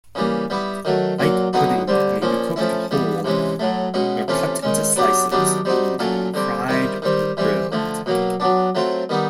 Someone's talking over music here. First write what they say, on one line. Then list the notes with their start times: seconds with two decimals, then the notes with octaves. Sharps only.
White pudding may be cooked whole or cut into slices and fried or grilled.
0.15 C#3 E3 G3 A#3
0.50 G3 B3 E4
0.85 D#3 F#3 A3
1.19 A#2 F#3 A#3
1.53 D3 F#3 B3 D#4 F#4
1.88 D3 G3 C4
2.22 A#2 F3 A#3 C#4
2.56 F3 A3 C#4 E4
2.91 E3 G3 B3
3.24 C3 E3 G#3 C#4
3.59 A2 F#3 A3
3.94 B2 G#3 C#4 F#4
4.28 C3 E3 A3 C#4 F4
4.63 D#3 G#3 C#4
4.96 F#3 B3 D4 G4
5.32 D#3 F#3 B3 D4 G4
5.65 G3 C4 D#4 F#4
5.99 A#2 F#3 A3 C#4 F4
6.34 D3 G3 C4
6.69 D#3 G3 C4 E4
7.02 D#3 G3 C4
7.37 E3 G3 C4
7.72 D3 F3 A3
8.06 B2 F#3 A#3
8.40 F#3 B3 D4
8.75 F#3 A3 C4 F4
9.09 D#3 G3 B3 D#4